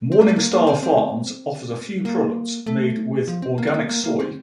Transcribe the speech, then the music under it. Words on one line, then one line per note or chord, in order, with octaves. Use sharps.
Morningstar Farms offers a few products made with organic soy.
C4
A#3
A3
A#3
A#3
C4
C4
A#3
A3
F3
C4
A#3
C4
A#3
A#3
A#3
C4